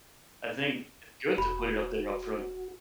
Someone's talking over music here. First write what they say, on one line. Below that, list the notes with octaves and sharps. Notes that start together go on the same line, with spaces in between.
I think it's good to put it up there upfront.
E1 F#4 B5